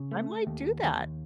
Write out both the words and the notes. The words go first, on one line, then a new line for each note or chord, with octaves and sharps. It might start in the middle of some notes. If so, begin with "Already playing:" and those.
I might do that.
Already playing: C#3
A3
D#2
D#2